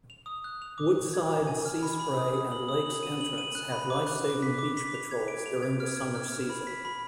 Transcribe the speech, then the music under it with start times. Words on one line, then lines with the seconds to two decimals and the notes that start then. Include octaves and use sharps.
Woodside, Seaspray and Lakes Entrance have life saving beach patrols during the summer season.
0.10 F7
0.26 D#6
0.44 F#6
0.62 F7
0.78 D6
0.96 D6
1.13 G#6
1.30 G#5
1.47 G#5
1.65 F6
1.83 B5
2.00 B5
2.17 D#6
2.34 D#6
2.52 F#7
2.69 D#6
2.86 F#7
3.03 D#7
3.21 F#7
3.38 D#7
3.55 F#6
3.72 B5
3.90 D6
4.07 F#6
4.25 D6
4.42 B6
4.59 D6
4.77 B6
4.94 F7
5.11 G#6
5.28 D7
5.46 F7
5.63 G#6
5.80 F6
5.97 G#6
6.15 F6
6.32 F6
6.50 B5
6.67 B6
6.85 B5